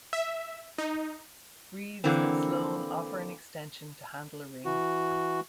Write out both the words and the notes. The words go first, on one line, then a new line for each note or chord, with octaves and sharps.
Reeds and Sloane offer an extension to handle a ring.
E5
D#4
D3 E3 A#3 C4
E3 F#4